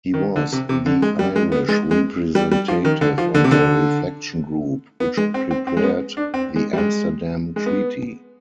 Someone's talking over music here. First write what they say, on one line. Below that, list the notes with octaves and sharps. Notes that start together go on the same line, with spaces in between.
He was the Irish Representative on the Reflection Group which prepared the Amsterdam Treaty.
D#3
D3
C3
C3
D3
G#3
G3
G#3
B3
G#3
G#3
G3
G3
F3
D#3
D3
F3
D3
C3
D3
B3
G#3
C4
C4
C4
G#3
B3
D4
C4
G#3
G3
G#3
G#3
B3